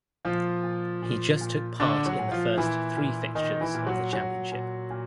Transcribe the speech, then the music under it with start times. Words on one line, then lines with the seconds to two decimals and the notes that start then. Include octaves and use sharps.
He just took part in the first three fixtures of the championship.
0.25 A#2 F3 F4
0.63 A#2
1.02 A#2
1.41 A#2
1.80 A#2 D3 D4
2.06 F#3 F#4
2.19 A#2
2.32 F3 F4
2.57 A#2 E3 E4
2.97 A#2
3.35 A#2 D#3 D#4
3.61 E3 E4
3.75 A#2
3.87 F#3 F#4
4.13 A#2 F#3 F#4
4.52 A#2
4.90 A#2